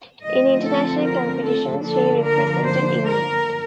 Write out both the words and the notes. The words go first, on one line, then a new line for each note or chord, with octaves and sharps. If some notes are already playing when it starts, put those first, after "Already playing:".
In international competition, she represented England.
D3 F3 A3 C4 D#5
A4
A#4
A4
D3 F3 A#3 D4 A4
A#4
C5
A#4